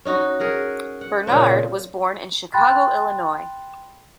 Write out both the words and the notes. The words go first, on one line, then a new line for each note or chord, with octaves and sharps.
Bernard was born in Chicago, Illinois.
C#4 D#4 F#4
G#4 A#4 F#5
F#5
A#2 C#3 C4
G5 B5 C6 F#6 A6